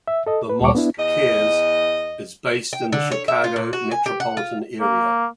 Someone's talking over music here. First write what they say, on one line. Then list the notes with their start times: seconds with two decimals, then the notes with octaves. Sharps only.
The Mosque Cares is based in the Chicago metropolitan area.
0.08 E5
0.27 A4 D#5
0.49 B4
0.61 D2 A#2 G3 C#6 D6
0.75 B3 D4 E4
0.97 E2 D#5
2.73 G5
2.92 D3
3.12 C#5
3.28 E5
3.44 F4
3.56 A#2
3.73 F#4
3.91 G#5
4.06 G4
4.20 F#5
4.37 F4
4.81 A#3